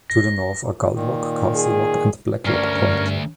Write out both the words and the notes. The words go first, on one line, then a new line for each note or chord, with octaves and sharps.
To the north are Gull Rock, Castle Rock, and Blacklock Point.
A#6
A#2 D#3
G#4
D2 G2 C#4 A#4 D5